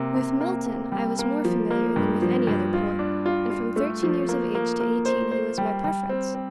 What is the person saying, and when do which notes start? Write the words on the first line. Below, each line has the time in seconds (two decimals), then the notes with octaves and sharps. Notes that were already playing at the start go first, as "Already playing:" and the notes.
With Milton I was more familiar than with any other poet, and from thirteen years of age to eighteen he was my preference.
Already playing: C3 A#3
0.15 C3
0.41 A#3
0.66 A#3
0.92 G3
1.19 A#3
1.45 F3
1.71 A#3
1.96 G2
2.22 F3
2.47 G2
2.74 F4
2.99 D4
3.26 F4
3.50 F4
3.76 A3
4.03 F3
4.29 A#3
4.55 A#3
4.80 A#3
5.05 C5
5.32 C5
5.58 G3
5.84 G3
6.09 C4
6.35 C4